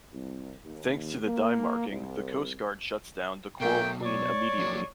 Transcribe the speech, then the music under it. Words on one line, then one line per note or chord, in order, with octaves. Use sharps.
Thanks to the dye marking, the Coast Guard shuts down the "Coral Queen" immediately.
C2
D#2
A#3
C2
B2 F#3 A3 A#3 G5
C#5 D5
F2 F#3 A#3